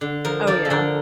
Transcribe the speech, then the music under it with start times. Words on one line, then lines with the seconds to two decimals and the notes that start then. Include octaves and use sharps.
Oh, yeah.
0.01 D3
0.25 F3 A#4
0.47 F3 D5
0.65 A4
0.70 D3 A#4